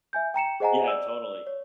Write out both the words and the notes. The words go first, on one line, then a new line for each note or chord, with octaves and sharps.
Yeah, totally.
E5 G#5 G6
G5 A#5 C#7 E7
G#4 C5 D#5 F#5 G#5 A#5
D5 E6
C#5